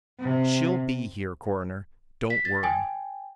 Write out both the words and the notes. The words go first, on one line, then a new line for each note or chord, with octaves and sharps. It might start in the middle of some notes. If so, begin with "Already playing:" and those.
"She'll be here, coroner, don't worry."
C3
B6
A6
G5 G#5